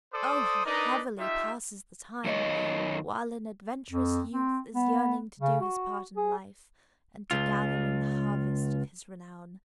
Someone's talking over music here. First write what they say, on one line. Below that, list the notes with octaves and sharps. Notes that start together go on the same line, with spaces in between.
Oh, how heavily passes the time, while an adventurous youth is yearning to do his part in life, and to gather in the harvest of his renown!
A4 C5 D5 D#6
D4 D#4 A#4 B4 D5 D#5
D#4 F4 G4 E5
F#2 D#3 C#4 C#5 D#5
F2
C4
B3
C#3
F#4
G#4
C#2 F4